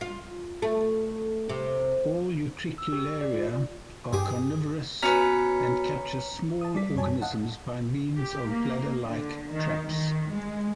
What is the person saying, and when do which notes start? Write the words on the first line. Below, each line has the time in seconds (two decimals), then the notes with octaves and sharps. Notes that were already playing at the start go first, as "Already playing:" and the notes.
All "Utricularia" are carnivorous and capture small organisms by means of bladder-like traps.
0.01 F4
0.62 A3
1.49 C3
2.78 E6
2.92 G4
3.21 D5
3.33 F4
4.13 G2 G4 G#4
5.03 B2 C#4 B4 A#5 B6 C#7
6.61 A5 D#6
6.75 G3 D5 B6
6.95 F#2 F#3 C#5 G#5 A5
7.22 D#5 F5 F#5 A5
8.19 G4
8.50 A#3
9.04 D3
9.51 D#3
9.87 D#3
10.33 G#3